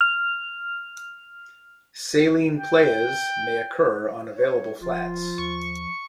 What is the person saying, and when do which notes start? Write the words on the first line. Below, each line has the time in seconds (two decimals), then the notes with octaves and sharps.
Saline playas may occur on available flats.
0.01 F6 F7
2.56 G5
4.36 C#5
4.81 D1 F3 F4
5.38 D#2 C#6